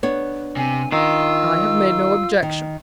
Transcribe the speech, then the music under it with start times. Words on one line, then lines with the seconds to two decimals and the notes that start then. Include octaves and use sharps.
"I have made no objection."
0.03 B3 D4 C#5
0.57 C3 G#5
0.92 D#3 F4 E6
2.43 D#3